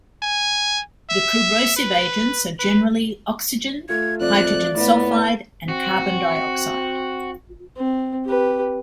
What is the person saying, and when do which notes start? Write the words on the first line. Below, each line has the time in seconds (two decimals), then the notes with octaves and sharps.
The corrosive agents are generally oxygen, hydrogen sulfide, and carbon dioxide.
0.22 G#5
1.09 E5
1.77 B4
2.59 B4
3.89 A3 F4 G#6
4.21 F2 D5 F#6
4.76 A2 B3
5.68 C4 F#4
7.76 C4
8.26 G4 B4